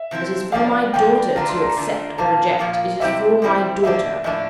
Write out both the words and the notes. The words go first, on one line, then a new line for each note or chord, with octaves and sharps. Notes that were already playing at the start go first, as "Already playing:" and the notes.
'It is for my daughter to accept or reject; it is for my daughter.
Already playing: E5
C3 F3 C4 E4
C3 F3 A#3 D4 F5
C3 F3 A#3 D4 G5
D3 A3 D4 F4 A#5
C6
A#5
D3 A3 D4 F4
A#2 F3 A#3 F4 A5
A#2 F3 A#3 F4
C3 G3 C4 E4 E5
C3 G3 C4 E4
A2 F3 A#3 D4 E5
A2 F3 A#3 D4 E5